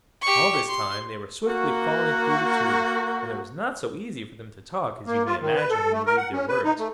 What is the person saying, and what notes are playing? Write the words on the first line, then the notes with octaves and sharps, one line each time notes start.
All this time they were swiftly falling through the Tube, and it was not so easy for them to talk as you may imagine when you read their words.
G4 C#6
C6
A#3 F#4
A#3
F4
D#3
B4
A4
A3
A#4
F#5
C#4
B4
D#4
A3